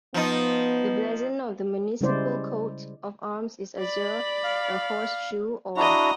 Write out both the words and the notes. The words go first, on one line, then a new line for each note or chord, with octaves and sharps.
The blazon of the municipal coat of arms is Azure, a Horse-shoe Or.
F3 B3 D#4
C#3 G3 G#3 E4 C5 D5
D5 B5
F5
D4 E4 F#4 D#5 A#5